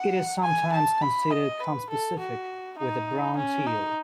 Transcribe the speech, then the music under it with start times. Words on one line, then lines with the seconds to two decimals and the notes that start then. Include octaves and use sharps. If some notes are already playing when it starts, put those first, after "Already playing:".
It is sometimes considered conspecific with the brown teal.
Already playing: F#5
0.43 G#5
0.73 A5
1.02 B5
1.31 D#5
1.60 B4
1.90 A4
2.19 F#4
2.79 D#4
3.37 C#4
3.67 D#4